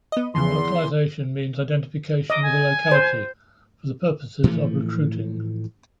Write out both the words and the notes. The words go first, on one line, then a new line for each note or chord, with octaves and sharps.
Localization means identification with a locality for the purposes of recruiting.
B3 D#5
E2 C#3 E3 F3 C6
D#5 D6
G#5
C5
A2 E3 F3 A3